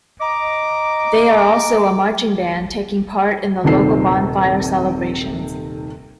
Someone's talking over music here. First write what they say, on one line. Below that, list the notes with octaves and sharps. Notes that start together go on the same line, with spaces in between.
They are also a marching band, taking part in the local bonfire celebrations.
D#5 A#5 D6
D#1 C3 D#3 A4 C7